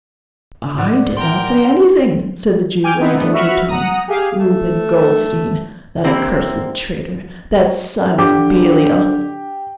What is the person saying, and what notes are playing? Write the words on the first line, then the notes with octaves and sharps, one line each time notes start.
"I did not say anything," said the Jew in an injured tone, "Reuben Goldstein, that accursed traitor, that son of Belial . . ."
A2 D5 F#5
A#4 G5 C6
G5 G#5 D6 F6 G6 D7
B3 C4 D#4 E4
A3 B3 D4
F#4 E5 B5 C#6 F6 B6
F#5 A#5 D#6
G4 G#4 F5
A3
D3 A#3 C4 E4 G4
D3 G4 D6